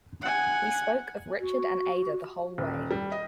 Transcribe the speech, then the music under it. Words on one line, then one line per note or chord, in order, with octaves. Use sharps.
We spoke of Richard and Ada the whole way.
F#5 G#5
F#4
D#1
G3
D#5